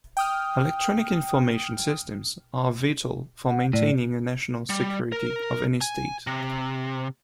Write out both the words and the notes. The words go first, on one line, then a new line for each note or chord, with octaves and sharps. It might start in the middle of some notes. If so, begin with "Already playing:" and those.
Electronic information systems are vital for maintaining a national security of any state.
G5 D#6 F6
F#5
A2 D5
G3
A#4
G#5
C3